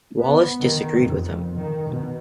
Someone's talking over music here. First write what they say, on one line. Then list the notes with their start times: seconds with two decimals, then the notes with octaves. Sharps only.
Wallace disagreed with him.
0.22 B3
0.60 D#3
1.01 F2
1.57 D#3
1.88 B2